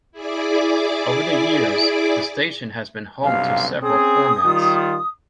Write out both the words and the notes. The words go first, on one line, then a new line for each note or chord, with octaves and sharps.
Over the years, the station has been home to several formats.
E4 G#4 D5 D6
B1 G2 C3 F5
C4 C#4 G#4 D#6
D#3 G3 F4